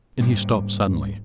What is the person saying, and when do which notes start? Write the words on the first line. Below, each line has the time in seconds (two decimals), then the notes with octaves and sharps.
Then he stopped suddenly.
0.19 G#2 G3 A#3